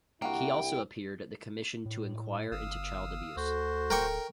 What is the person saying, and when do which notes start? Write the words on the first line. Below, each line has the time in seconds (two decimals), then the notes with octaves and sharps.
He also appeared at the Commission to Inquire into Child Abuse.
0.22 C2 G3 A#3 D4 E4 F#4 F#5 G5
1.85 A2
2.52 G1 F5 D#6 E6
3.37 D2 F#4 A4 C5
3.90 D1 A#4 G5 C#6